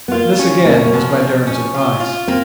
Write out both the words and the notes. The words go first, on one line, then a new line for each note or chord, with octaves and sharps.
This again was by Durham's advice.
B3
A#3 F4
C#4
A#3 C#4
A#3
F3 B3
F3
C#4
F4
F4
A#3 C4